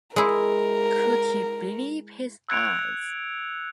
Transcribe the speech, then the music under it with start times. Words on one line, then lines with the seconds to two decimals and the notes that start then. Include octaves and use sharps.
Could he believe his eyes!
0.16 G#3 E4 A#4
2.49 E6 F#6 G#6 C#7 D7 F7